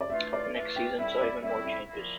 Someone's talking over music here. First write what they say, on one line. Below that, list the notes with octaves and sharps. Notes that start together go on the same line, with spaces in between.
The next season saw even more changes.
D5
E3 A3 D4 F4 E5
D5
E3 A3 D4 F4 E5
G5
A2 G3 C4 E4 E5
D5
A2 G3 C4 E4 E5
E5
A#2 F3 A#3 E4